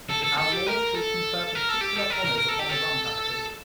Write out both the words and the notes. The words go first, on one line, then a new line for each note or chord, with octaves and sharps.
Our laws shall confer particular honors upon the rum traffickers.
A4
A4
A4
G4
A#4
A4
A#4
A4
G4
A4
A#4
A#4
A#4
A4
G4
A4